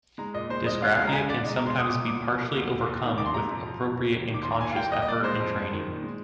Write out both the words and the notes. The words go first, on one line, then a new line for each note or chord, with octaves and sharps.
Dysgraphia can sometimes be partially overcome with appropriate and conscious effort and training.
G#3 A#5
A#2 D#5
G#3 C5
G#3 D#5
D2 F5
G#3 F5
A#5
D3 G#5
D3 D5
G#3 D#5
A#5
G#3
C6
A#2 D#6
D6
A#2
D2 D6
F3
A#3
D2
D#2
D#2
D#3
D#2 D6
C6
C3 A#5
F2
F2
F3
D#2
D#2
D#3
D6
D#2 C6
A#5
A#2 G#5
F5
A#3 G5
G3 D#5
D#5
A#3 D5
G#3 C5
F2
G#3
D#3
A#2
G#3